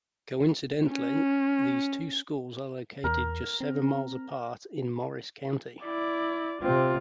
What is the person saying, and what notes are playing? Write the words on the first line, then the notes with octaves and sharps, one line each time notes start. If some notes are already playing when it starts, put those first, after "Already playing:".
Coincidentally, these two schools are located just seven miles apart in Morris County.
C#4
E2 A#4
C4
E4 D5
C3 C4 F4